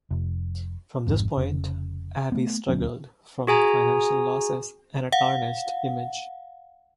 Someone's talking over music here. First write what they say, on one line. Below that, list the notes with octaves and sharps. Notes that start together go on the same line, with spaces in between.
From this point, Abbey struggled from financial losses and a tarnished image.
F1
G#1 F2 G#2 C3
F1 C#3
A3 B3
D#1 D2 F#3 C#4
F#4 G#4 G#5 A#5
F5 F#5